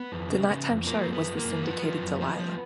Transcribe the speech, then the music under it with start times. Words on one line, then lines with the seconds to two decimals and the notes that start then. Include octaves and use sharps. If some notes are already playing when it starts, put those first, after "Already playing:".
The nighttime show was the syndicated Delilah.
Already playing: B3
0.12 F2
0.30 C#3
0.49 C#3
0.68 F2
0.87 F3 A#3
1.06 F#2
1.13 B3
1.25 F3
1.37 A#3
1.44 F#2
1.63 F3 B3
1.82 F3
2.01 F#2
2.20 F3
2.39 F3